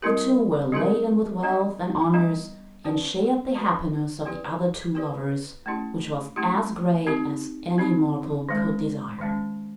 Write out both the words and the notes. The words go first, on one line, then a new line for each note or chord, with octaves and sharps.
The two were laden with wealth and honours, and shared the happiness of the other two lovers, which was as great as any mortal could desire.
G3 C4 E4 G4 A#4
G3 C4 E4 G4 A#4
G3 B3 D4
G3 B3 D4
C#4 F#4 B4 D5
C#4 F#4 B4 D5
B3 E4 G4 B4 D5
B3 E4 G4 B4 D5
A3 C#4 E4 G4
A3 C#4 E4 G4
C4 D#4 G4
C4 D#4 G4
D#3 G#3 C#4
D#3 G#3 C#4